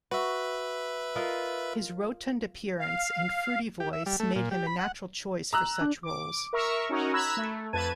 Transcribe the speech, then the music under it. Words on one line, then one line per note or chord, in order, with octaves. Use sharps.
His rotund appearance and fruity voice made him a natural choice for such roles.
F#4 B4 E5
F4 A#4 D#5
F5
G4
E5
G3
A3
A#2
G4
B5
F#5
A#5 E6 F#6
D4
D6
A#4 E5 C#6 E6
C#4 D#4 F#4 A#4
A#5 B5 E6 F#6 G#6
A3
F2 B4 A5 G#6 D#7